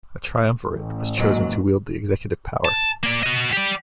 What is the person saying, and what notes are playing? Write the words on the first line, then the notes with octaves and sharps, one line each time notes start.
A Triumvirate was chosen to wield the executive power.
A1
D#2 G#2 F#3
A5
A#3 D5
F#4 D#5
G4 D5